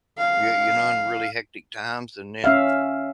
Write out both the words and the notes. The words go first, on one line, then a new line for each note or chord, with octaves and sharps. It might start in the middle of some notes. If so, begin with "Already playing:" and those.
y you know, in really hectic times, and then
F5
C#4 E5 F5